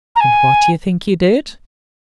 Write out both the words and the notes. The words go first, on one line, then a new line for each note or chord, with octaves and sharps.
And what do you think he did?
A#5
G#5